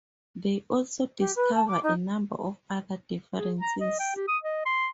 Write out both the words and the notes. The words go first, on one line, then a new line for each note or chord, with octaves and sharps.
They also discover a number of other differences.
G4
B4
A5
D6
D#4
G#4
A#5
D#5
G5
G4
D#6
D#5
C6